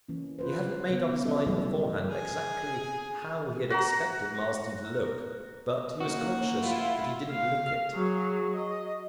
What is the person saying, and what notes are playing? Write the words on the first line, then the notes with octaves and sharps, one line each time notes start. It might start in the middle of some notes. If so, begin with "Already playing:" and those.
He hadn't made up his mind beforehand exactly how he had expected Marsden to look, but he was conscious that he didn't look it.
E3 A#3 C#4
F4 B4 C5
C#3 B3
G3 C#4 A4 D#5 E5
C#3 E3 F#3 G3 A3 D#4
G#4
F#4 A#5
C#3 E3 A#3 F#4
A3 E4 F4
F5
F#3 G#4
D#5